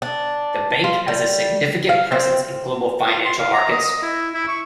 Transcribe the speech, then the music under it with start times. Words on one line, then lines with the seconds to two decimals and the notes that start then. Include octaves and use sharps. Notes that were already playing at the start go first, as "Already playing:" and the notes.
The bank has a significant presence in global financial markets.
0.02 D4
0.84 F4
1.08 G3
1.89 F5
2.12 C4
3.07 F4
3.25 C6
3.39 F5
3.54 A#5
3.71 D#5
3.84 D#5
4.03 E4
4.34 E4
4.48 C#6